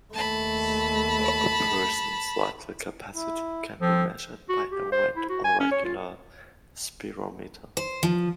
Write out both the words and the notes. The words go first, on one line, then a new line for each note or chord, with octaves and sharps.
A person's vital capacity can be measured by a wet or regular spirometer.
D#2 A3 A5 B5
E4
F3 C4 A4
F#4
G4
C5
E4
F#4
G#5
C#4
C#5
F4
C5
F3